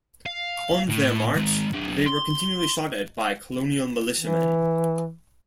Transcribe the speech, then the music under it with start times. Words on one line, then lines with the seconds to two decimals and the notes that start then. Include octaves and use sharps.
On their march, they were continually shot at by colonial militiamen.
0.26 F5
0.89 A2
1.35 D#3 G#3
1.73 F#3 D4
2.06 C6
4.19 E3